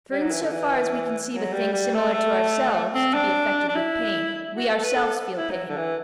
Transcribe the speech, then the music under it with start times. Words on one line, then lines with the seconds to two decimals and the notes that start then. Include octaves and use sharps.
For in so far as we conceive a thing similar to ourselves to be affected with pain, we ourselves feel pain.
0.11 G3
0.21 F#3
0.31 E3
0.42 D3
0.52 E3
1.33 F#3
1.53 G3
1.73 G3
1.94 A3
2.13 A3
2.95 C4
3.14 D4
3.69 D4
3.75 E4
4.56 F#4
4.69 A4
4.84 B4
4.96 A4
5.38 E4
5.51 F#3
5.69 D3
5.77 E3